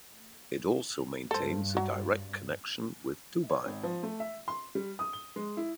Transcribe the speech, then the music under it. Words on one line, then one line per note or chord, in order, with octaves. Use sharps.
It also maintains a direct connection with Dubai.
G2 A4 C5
F#3
C#5
G#1
F3
A3
E5
C6
G3
D#6
G7
G#3
E4